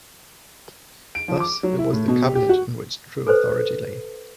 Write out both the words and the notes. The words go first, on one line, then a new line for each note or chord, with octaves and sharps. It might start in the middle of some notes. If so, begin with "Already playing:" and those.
Thus, it was the cabinet in which true authority lay.
D7
F3
D6
F#3
E4
A2
B2
G4
G4
F#4
A4 B4 C5